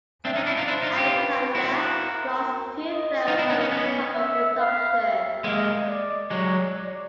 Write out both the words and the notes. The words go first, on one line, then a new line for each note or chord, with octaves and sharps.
Anaconda lost two-thirds of its copper production.
C4 D4 E5
C#4 D#4
D4 E4
D#4 F4
D4 E4 C5
D#4 F4
F4 G4
B4
E4 F#4 A#4
D#5
D#4 F4
D4 E4
C#4 D#4
C#4 D#4
B3 C#4
E5
F5
E5
G#3 A#3 D#5
D5
F#3 G#3 C#5
D5